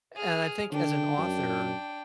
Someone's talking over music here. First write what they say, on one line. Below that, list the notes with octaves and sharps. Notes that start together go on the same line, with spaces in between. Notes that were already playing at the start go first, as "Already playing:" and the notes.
and I think as an author
G#4 F6
D3 D4 G5
F#2